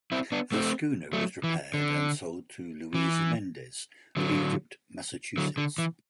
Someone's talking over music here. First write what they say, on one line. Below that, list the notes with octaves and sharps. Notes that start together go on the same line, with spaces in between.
The schooner was repaired and sold to Louisa Mendes of Egypt, Massachusetts.
C4 E4
B3 D4
A3 C4
F#3 A3
E3
D3
E3
D3 F#3
D3 F#3
D3
E3